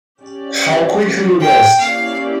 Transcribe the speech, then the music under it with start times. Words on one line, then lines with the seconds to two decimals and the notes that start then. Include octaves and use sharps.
How quickly you guessed!
0.21 C#4 G4 D5
1.41 G5
1.79 A#3 C#4 E4 G4 D5 F5